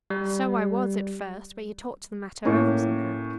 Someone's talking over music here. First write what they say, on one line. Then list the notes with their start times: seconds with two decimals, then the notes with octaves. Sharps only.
"So I was, at first, but he talked the matter over somehow."
0.10 G3
2.45 A2 A#3 C#4